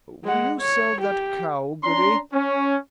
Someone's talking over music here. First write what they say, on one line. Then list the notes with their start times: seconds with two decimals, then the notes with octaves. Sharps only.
'Will you sell that cow, Goody?'
0.24 G#3 F#5
0.61 C#5
1.00 G4
1.84 C#4 D4 A#5 C6
2.33 C#4